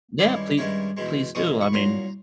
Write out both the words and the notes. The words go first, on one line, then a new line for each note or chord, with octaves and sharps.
Yeah, please please do. I mean
G2 D#3 G#3 C#4 E4 C6 D6
G2 D#3 G#3 C#4 E4
E2 B2 G#3
E2 B2 G#3 C#6 D#6
B5 C#6
C2 A#2 F#3 A#5 C6